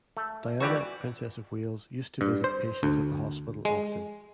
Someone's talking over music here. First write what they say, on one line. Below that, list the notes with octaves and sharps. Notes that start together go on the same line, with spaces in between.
Diana, Princess of Wales used to visit patients at the hospital often.
A3
C#2 E3 F#4 G4 D5
G2
C5
D2
G#3